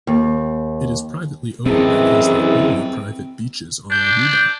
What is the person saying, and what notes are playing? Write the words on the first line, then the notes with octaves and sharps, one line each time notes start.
It is privately owned and has the only private beaches on Aruba.
D#2
F#2 C3 D#3 E3 C4 G#4 A4
D4 G6